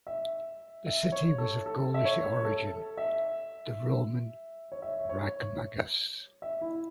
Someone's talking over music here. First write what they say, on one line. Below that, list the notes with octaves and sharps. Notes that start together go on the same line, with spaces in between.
The city was of Gaulish origin, the Roman "Ricomagus".
E5
E5
C#5
A4
A4
E5
C#5
A4
E5
C#5
E5
C#5
E5
E4